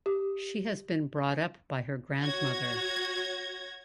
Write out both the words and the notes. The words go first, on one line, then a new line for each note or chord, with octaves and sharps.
She has been brought up by her grandmother.
G4
F#4 C#5 G#6 A#6